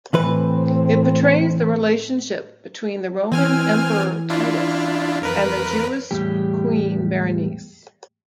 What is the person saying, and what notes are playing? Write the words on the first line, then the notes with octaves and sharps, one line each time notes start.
It portrays the relationship between the Roman Emperor Titus and the Jewish Queen Berenice.
A2 E3 C4 B4
E3 C4 G#5 F6
D4 E4 F4
F2 A#4 B4
E2 A2 G3 G4